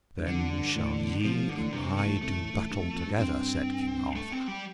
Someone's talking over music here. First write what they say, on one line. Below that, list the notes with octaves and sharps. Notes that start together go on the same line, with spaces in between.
Then shall ye and I do battle together, said King Arthur.
G2
F2 D3
G2
A1 A2
C3 F3
A2
G2 D3
A1 A2
G2 C3
G2
C3 A3
A1 A2
A2
C2 C3 A3
A1 A2
A1 A2
G2
F2
F2
G2
G2 C4
A3
C4
G3